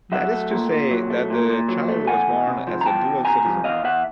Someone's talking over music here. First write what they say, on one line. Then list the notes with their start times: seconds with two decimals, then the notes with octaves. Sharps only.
That is to say that the child was born as a dual citizen.
0.12 F#3 E5 F#5
0.31 A3
0.51 A#2
0.70 A#2
0.91 F#3
1.10 A3
1.30 A#2
1.49 A#2
1.69 F#3
1.89 A3
2.07 E2 F#5 G#5
2.27 E2
2.47 C3
2.67 F3
2.81 A#5
2.86 E2 G5 A5
3.06 E2
3.25 C3 G#5 A#5
3.46 F3
3.64 E2 D#5 F5
3.84 E2 E5 F#5